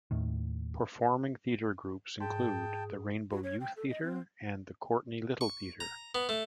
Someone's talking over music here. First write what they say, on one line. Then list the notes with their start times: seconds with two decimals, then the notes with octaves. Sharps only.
Performing theatre groups include the Rainbow Youth Theatre and the Courtenay Little Theatre.
0.11 D#2 A2 D#3
2.21 G#2 G#4 G5 A5
3.31 F#4
3.43 C#5
3.60 G5
3.77 A4
3.88 D#5
4.03 C4
5.41 C#6
5.80 A#5
6.15 B3
6.29 A3